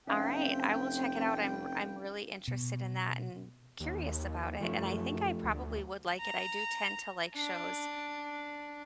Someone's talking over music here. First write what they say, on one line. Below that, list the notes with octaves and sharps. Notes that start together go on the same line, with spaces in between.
Alright, I will check it out. I'm r I'm really interested in that and curious about it, and I think I probably would like it, I do tend to like shows
F1 C4 C#4 E5 F5 G5
B2
D#2
F#2 F3 A3
D2
A#5
D4